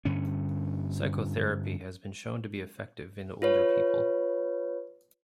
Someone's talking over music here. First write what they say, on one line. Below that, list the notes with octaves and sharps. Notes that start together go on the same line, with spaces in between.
Psychotherapy has been shown to be effective in older people.
G2 D3 C#4
F4 B4 C#5